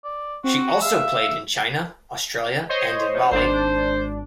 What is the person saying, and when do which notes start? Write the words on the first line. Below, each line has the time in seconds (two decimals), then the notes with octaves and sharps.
She also played in China, Australia, and in Bali.
0.04 D5
0.44 C4 F#4
0.82 E5 F5
2.69 C5 C#5 D#5
3.15 C3 F3 D#4
3.31 G#1 D4 C5